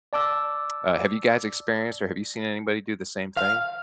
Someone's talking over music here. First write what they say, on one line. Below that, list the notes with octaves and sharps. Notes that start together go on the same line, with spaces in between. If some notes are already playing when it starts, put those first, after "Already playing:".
Uh, have you guys experienced or have you seen anybody do the same thing?
D5 A5 D6 E6
F5